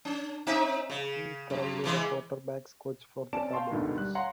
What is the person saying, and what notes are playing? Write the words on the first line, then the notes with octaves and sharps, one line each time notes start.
He is currently the quarterbacks coach for the Cardinals.
C#4
C4 D#4 E5
C#3
F#2
C#3 E3 G#3
C4 C#4 D5 A5 D7 E7
F5 G5 A5 C6 C#6
D2 G#2 B2 D3 D#3
G3 F#6
C#5 F5 F#5 A#5 C6